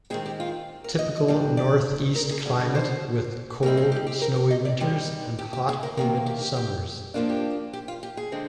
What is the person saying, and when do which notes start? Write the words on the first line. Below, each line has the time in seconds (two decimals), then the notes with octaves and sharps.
Typical Northeast climate with cold, snowy winters and hot humid summers.
0.10 D#3 G#3 C4 G#4
0.26 G4
0.40 F4
0.84 A#4
0.99 D#5
1.28 D#3 G3 D4
1.57 D5
2.15 A#4
2.31 G#4
2.45 D3 G3 D4 G#4
2.60 G#4
2.75 C5
3.63 A#2 G3 C4 D#4 A#4
3.77 G#4
3.92 G4
4.07 G4
4.22 A#4
4.36 A#4
4.51 D#5
4.65 D5
4.80 D3 G3 C4 D#4 G#4
5.39 G4
5.53 G4
5.69 G#4
5.83 A#4
5.97 C3 D#3 A#3 A#4
6.26 G4
6.41 G4
6.56 G4
7.14 F3 A#3 D4 F4
7.30 G4
7.73 G4
7.88 F4
8.03 G4
8.17 G#4
8.32 D3 G#3 C4